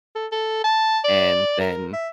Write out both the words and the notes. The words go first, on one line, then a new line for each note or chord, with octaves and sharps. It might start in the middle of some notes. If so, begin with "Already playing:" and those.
and then
A4
A4
A5
D5
A#4
E5